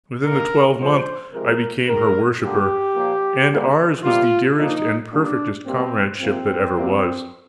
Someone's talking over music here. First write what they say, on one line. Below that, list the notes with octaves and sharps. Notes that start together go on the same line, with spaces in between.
Within the twelvemonth I became her worshiper; and ours was the dearest and perfectest comradeship that ever was.
D#3 A#3 A#4
D3 F3 G#3 C5
C3 F3 G#3 A#4
D#3 G#3 A#4
D3 G3 A#3 G4
A#2 F3 A#3
D3 G3 A#3
C3 G3 A#3 F4
A#2 F3 A#3 D#4
A#2 G3 A#3 D4
C3 G3 A#3 C4
C3 F3 A#3 C4
C3 G3 A#3